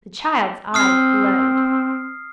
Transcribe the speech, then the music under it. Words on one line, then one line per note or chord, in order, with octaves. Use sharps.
The child's eyes glowed.
C4 D#6 F6 C7